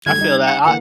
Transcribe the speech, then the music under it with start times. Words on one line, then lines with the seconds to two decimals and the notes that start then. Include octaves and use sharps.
I feel that. I
0.06 D3 G3 A3 G#6
0.18 G3 D#4
0.45 F#5
0.64 D3 E3 A#3 F#5